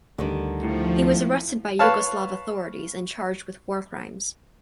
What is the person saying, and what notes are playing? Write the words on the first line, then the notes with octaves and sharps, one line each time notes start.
He was arrested by Yugoslav authorities and charged with war crimes.
D2 D3 D#3 G3
A2 F3
B4 C#5 F5 A5